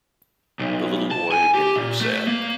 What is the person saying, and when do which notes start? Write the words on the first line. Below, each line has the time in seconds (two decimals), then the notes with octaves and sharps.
The little boy again grew sad.
0.59 B1
1.11 A5
1.32 G#5
1.55 G4
1.76 A#2
2.01 A3
2.28 A#3